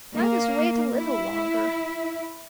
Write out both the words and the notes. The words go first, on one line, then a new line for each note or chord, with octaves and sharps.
"Let us wait a little longer."
A#3
E4